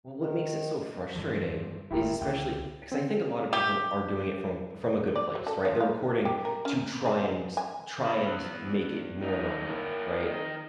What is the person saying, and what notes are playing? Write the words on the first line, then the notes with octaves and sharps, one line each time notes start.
Well, what makes it so frustrating is especially 'cause I think a lot of people are doing it from from a good place, right, they're recording to try and try and make it more well known, right?
D#3
G2 E3 F3
D#1 G#2 E4 G4 A#4
C#2 D3 E3 F#5 G5
C4
G4
D5
F#3
A4
F3
F5
G4
A#4
C#4
G#4
G#5
E2 B5
G2 D#4
A#3 E4
D#3 D#5